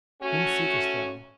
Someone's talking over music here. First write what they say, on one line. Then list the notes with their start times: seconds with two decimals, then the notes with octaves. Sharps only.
"Whom seekest thou?"
0.22 A3 C#4 F#4